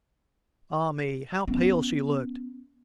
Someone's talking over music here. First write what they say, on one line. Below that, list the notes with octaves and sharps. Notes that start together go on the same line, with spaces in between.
Ah me, how pale she looked!
B3 C#4